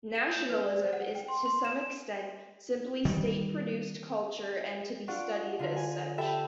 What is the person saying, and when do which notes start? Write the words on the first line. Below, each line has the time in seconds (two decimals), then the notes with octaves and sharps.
Nationalism is to some extent simply state-produced culture, and to be studied as such.
0.15 E7
0.29 G6
0.49 B4
0.63 D5
0.82 C5
0.93 F#5
1.15 G5
1.28 C6
1.46 C6
1.65 E7
3.05 D#3 G3
5.08 D4 F4 D5 F5 F#5 C#6
5.59 D3 F4 A#4
5.76 G#5
6.18 G4 A4 E5 G5 B5